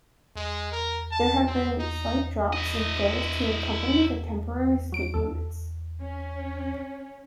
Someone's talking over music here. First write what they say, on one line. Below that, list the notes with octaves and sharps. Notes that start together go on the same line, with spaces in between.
There have been slight drops in fares to accompany the temporary speed limits.
G#3
A#4
A5
C4
D#4
E4 D#5
F#3 D7
D#2 A4
C#4